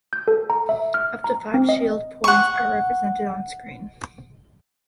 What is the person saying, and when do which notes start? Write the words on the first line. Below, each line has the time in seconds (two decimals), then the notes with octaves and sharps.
Up to five shield points are represented on screen.
0.13 G6
0.28 A4
0.50 A#5
0.69 E5
0.94 F6
1.24 A#5
1.54 C4
1.69 D#5
2.24 F#5 C#6